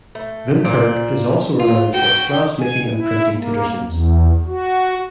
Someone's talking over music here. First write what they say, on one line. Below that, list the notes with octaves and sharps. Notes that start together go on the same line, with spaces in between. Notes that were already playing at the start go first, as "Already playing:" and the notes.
Vimperk is also renowned for its glass-making and printing traditions.
A3
A#2 C5 D5
F4
F#4 G5
G#5
E4
A#3
E2
F#4